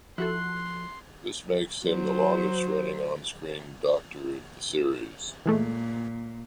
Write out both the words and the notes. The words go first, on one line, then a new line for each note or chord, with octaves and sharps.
This makes him the longest running on-screen Doctor of the series.
F3 E4 F#4 A4 C6 F#6
F#3 C5
A#2 E3 G#3 A3